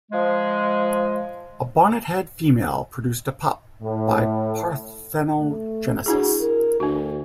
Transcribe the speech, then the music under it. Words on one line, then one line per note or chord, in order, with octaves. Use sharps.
A bonnethead female produced a pup by parthenogenesis.
F3 G#3
A2
A3
D4 E4 F#4 G#4
A#4
D2 D4 F#4